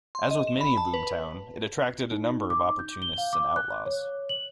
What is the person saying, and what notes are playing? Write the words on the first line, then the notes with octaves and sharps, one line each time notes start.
As with many a boomtown, it attracted a number of opportunists and outlaws.
C6
D#5
E7
B5
A5
B4
D#4
D6
G6
G7
F5
D6
F#6
C#5
F#7